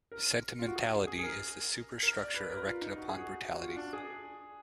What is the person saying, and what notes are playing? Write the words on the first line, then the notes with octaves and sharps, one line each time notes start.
Sentimentality is the superstructure erected upon brutality.
A#4
F4
F#4
G#4
G#4
G#4
A#4
A#4
D5
B4
A#4
F4
D#4
F#4
G#4
F#4
F#4
F4
D4
G#4